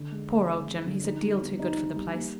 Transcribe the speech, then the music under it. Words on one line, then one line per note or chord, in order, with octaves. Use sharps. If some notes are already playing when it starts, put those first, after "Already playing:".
'Poor old Jim, he's a deal too good for the place.
Already playing: D3
G#3
B3
G#3
G#3
D3
D#4
G3
B3
D#4
D#4
G3
A#3